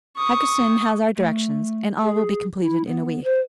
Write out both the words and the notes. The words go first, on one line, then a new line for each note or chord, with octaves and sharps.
Haggerston has our directions, and all will be completed in a week.
C#6 D#6
A3
G#4
E4
B3
C5